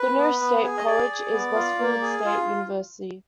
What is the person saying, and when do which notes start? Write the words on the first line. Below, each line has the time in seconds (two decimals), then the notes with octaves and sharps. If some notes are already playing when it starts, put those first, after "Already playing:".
The nearest state college is Westfield State University.
Already playing: B4
0.17 B3
0.40 B3
0.63 G#4
0.78 D#5
0.86 G#4 D5
1.09 G#4
1.32 B3
1.55 F4
1.79 A#3
2.01 G#4
2.25 F4